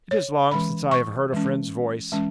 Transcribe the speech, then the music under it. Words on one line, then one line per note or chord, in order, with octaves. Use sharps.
'It is long since I have heard a friend's voice.
C#5
E3 G#3 C#4 B5
C#6
E3 G#3 C#4
E3 G#3 C#4